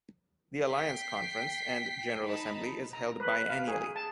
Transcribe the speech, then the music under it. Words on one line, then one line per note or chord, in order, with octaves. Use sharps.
The Alliance conference and general assembly is held biennially.
G5 B6 C7
D#4 A5 B5
A#5
B4
F5
G#4
A5